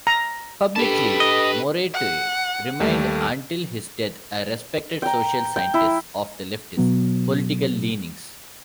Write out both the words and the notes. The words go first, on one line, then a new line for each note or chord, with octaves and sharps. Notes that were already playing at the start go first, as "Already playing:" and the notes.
Publicly, Morote remained until his death a respected social scientist of leftist political leanings.
A#5
D4 G4 A4 B4 G5 A5 B5
D#5
F#5
D#2 G3 A3
G5 A#5
G5
E4
B2 F#3 B3